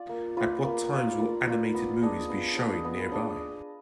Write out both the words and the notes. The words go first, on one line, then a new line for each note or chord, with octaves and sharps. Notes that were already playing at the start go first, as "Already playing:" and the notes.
At what times will animated movies be showing nearby?
Already playing: F4 D5
A#3
F4 B4 D5
A#3
F4 B4 D5
A#3
F4 B4 D5
B3
D4 G#4 D#5
B3
D4 G#4 D#5
B3
D4 G#4 D#5